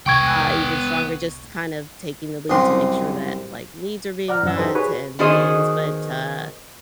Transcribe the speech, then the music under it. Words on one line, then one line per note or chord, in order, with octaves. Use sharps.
uh, even stronger, just kind of taking the lead to make sure that, like, needs are being met and things, but, uh,
C2 B3 G5 C#6 G#6
C2 F#2 C3 C6
D5 F#5 A#5 F6
F#2 E3 C#4 F#5 E6
D#4 G4 A4 B4 C5
F#4 G#4 B4 C#5 C#6
D#3 B3 F#4 G#4 C5 D#5